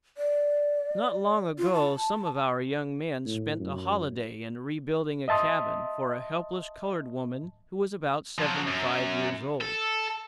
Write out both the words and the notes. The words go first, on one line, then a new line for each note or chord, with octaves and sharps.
Not long ago some of our young men spent a holiday in rebuilding a cabin for a helpless coloured women who was about seventy-five years old.
D5
F4
A5
A2
F#2
D#5 E5 A5 C6 D#6
F3 F#3
F#2
A4